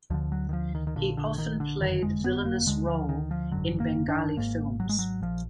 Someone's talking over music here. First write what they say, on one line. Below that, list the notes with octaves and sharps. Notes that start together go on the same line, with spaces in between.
He often played villainous role in Bengali films.
D2 D3 F3
F#3
D#3
F3
D#3
D#3
A#1 A#2 D3
D3
D#3
D3
F#1 F2 D3 D#3
G#3
B3
A#3
D2 D3 G#3
F3
D#3
F3
G#1 F#2 D3 F#3
A#3
D4
G#1 G#2 A#3
F#3
G#3
F#3
A#1 F3